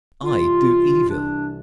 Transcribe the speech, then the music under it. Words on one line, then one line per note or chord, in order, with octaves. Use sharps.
I, do evil!
C2 C3 E3 F4
D4